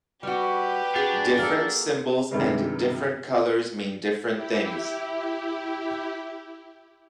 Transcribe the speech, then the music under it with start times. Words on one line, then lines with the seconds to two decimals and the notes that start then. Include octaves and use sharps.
Different symbols and different colours mean different things.
0.23 G3 F#4 G4 B4
0.95 D4 F#4 G#4
1.39 A#3 A4
2.31 G2 C3 D#3 E3 G3 G#3
4.32 E4 G4